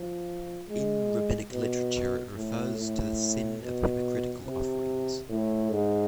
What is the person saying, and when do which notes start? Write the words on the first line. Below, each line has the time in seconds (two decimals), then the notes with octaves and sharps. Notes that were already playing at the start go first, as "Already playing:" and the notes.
In rabbinic literature it refers to the sin of hypocritical offerings.
Already playing: F3
0.69 G#3
1.52 B2
2.36 A2
2.78 A2
3.61 B2
4.45 C3
5.29 A2
5.71 G#2